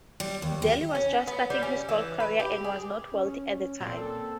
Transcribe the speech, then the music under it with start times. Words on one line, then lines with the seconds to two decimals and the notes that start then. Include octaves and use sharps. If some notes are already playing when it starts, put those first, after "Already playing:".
Daly was just starting his golf career and was not wealthy at the time.
0.20 G3
0.42 D#2
0.62 G4
0.95 C#4
1.27 B3
1.50 G3
1.63 C#4
1.89 E3
2.20 B4
2.40 G4
2.64 G#4
3.11 C#4
3.80 A#2 C4
3.95 A4